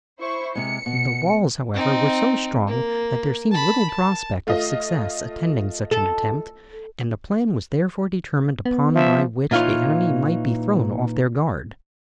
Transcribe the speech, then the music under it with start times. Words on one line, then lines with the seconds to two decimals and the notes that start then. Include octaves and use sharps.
The walls, however, were so strong that there seemed little prospect of success attending such an attempt, and a plan was therefore determined upon by which the enemy might be thrown off their guard.
0.20 E4 C5 C#6
0.55 C3 G#3 C#7
0.86 B2
1.74 C4 D#4
2.68 A#3
3.51 A5 B5
3.89 A5
4.47 A3 F4 D#5
5.91 A4
8.65 B3
8.95 F3 E5
9.51 A#2 E3 D#4 F4 C#5 F5